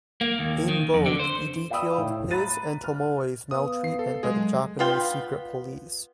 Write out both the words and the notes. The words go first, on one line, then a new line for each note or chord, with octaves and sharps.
In both, he detailed his and Tomoe's maltreatment by the Japanese secret police.
A#3
D#2
D#3
F2
D3
C5
D5 F5 G5 B5 D#6 E6
A2
A#5 B5 F#6 A6 D#7
F6
B3 B4 F5 D#6
C7
A4
F#3 G#3 G#4
B3 F4 G5